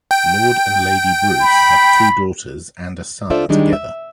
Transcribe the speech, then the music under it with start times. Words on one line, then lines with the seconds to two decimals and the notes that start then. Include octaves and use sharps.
Lord and Lady Bruce have two daughters and a son together.
0.11 G5
1.41 B5
3.30 D4 F4 A4 C5 D5 E5
3.49 D#3 G3 G#3 D4 D#4
3.73 E5